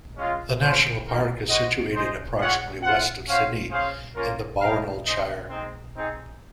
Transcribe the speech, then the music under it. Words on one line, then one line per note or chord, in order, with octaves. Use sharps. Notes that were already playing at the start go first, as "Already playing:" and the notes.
The national park is situated approximately west of Sydney in the Balranald Shire.
G#3 C#4 F4
C#4 F4 C5
A#3 D#4 A#4
F#4 C5 D#5 F#5
D#4 G#4 C5
F4 G#4 C#5 F#5
F4 C5 F#5
C#4 F#4 C5 F5
C#4 G#4 C5 F5
A#3 C#4 F4 A#4
D#4 A#4 F5
D#4 G#4 C5 D#5
G#3 C4 D#4
C4 D#4 G#4